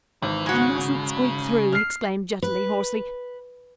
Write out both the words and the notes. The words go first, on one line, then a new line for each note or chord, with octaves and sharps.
"I mustn't squeak through," exclaimed Jutterly, hoarsely.
G#1 E3
C#3 G#3 F#4
F6 C7
B4